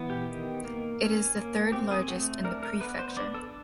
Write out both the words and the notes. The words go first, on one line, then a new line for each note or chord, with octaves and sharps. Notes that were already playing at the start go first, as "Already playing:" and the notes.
It is the third largest in the prefecture.
Already playing: E3 B3
G4
D#3
A#3
C#4
A#3
C4 G4
G#4
A3 F#4
D4 A#4
A#4
B3 B4
C5
D4 D5
A4